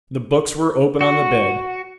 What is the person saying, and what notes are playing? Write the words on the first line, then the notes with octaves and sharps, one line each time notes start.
The books were open on the bed.
F#4